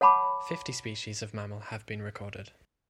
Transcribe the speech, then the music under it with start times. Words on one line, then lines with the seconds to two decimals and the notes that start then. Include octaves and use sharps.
Fifty species of mammal have been recorded.
0.01 C#5 F#5 A5 B5 D6